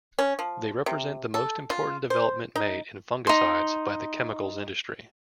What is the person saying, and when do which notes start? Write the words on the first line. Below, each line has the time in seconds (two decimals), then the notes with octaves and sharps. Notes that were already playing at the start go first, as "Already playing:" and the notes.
They represent the most important development made in fungicides by the chemicals industry.
0.19 C#4
0.39 F3
0.86 C3
1.34 A4
1.70 F4
2.10 C5
2.56 D#4
3.27 D#4 C6